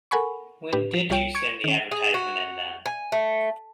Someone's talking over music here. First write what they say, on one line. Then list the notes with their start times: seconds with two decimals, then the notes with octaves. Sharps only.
When did you send the advertisement in, then?
0.11 A4 A#4 F#5 G#5 B5 C#6
0.73 A2 D4 G4 B4
0.94 F3
1.10 C2 G3 F4 C#5 G5 D7
1.35 C#6 G#6 C#7 D7
1.64 D#3 C#4
1.91 G#4
2.14 F#4
2.86 G#5
3.12 A3